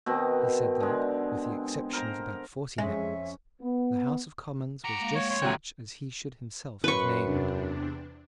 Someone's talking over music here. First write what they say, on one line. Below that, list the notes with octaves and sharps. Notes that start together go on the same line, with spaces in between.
He Said that, with the exception of about forty members, the House of Commons was just such as he should himself have named.
B2 D#3 C4
D3 G#3
A#4 C5 A#5
F2 G#3 C#4 E5
B3
F#4 G4 A#5
G#3 A#3 F5
C#5
F2 A2 C#5 C6
A1 F#3 F#4 G#4 G5
F#2 B4 C6 C#6 C#7
E2 C3 D4